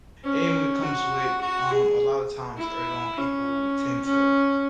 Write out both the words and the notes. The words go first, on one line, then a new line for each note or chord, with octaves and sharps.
And when it comes with um, a lotta times, early on, people tend to
C#4
F#4
F#4
G#4
E4
C#4
C#4